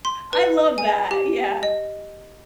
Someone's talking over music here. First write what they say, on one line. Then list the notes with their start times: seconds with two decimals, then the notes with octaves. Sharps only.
I love that. Yeah.
0.05 C6
0.33 B4
0.78 G#5
1.11 G4
1.63 D#5